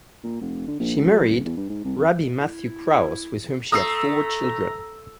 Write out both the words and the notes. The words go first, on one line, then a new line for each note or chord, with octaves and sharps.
She married Rabbi Matthew Kraus with whom she had four children.
A#2
F1
D3
A#1
C#2
F#3
D#1
E2
G2
G#2
C2
F2
E4
A3 A#5 D#6 E6 C7